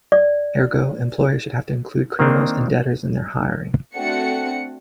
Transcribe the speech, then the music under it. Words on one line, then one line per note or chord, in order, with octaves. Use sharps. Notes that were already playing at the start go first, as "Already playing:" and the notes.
Ergo, employers should have to include criminals and debtors in their hiring.
D5
D#3 A#3 C4 D4 D#4
A3 C4 D4 F#4 F#5 C#7